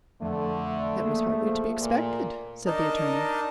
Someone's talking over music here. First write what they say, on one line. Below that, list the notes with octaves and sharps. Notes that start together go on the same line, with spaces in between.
"That was hardly to be expected," said the attorney.
F2 D3 A3
A#3 G#4
F3
A#2
D4 D#4 A#4 D#5 A5